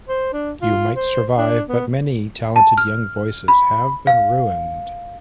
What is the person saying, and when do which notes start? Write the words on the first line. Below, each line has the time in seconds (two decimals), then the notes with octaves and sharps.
You might survive, but many talented young voices have been ruined.
0.08 C5
0.33 D4
0.62 F4
0.96 C5
1.38 D4
1.69 B3
2.56 A5
2.78 F6
3.48 B5
4.07 F5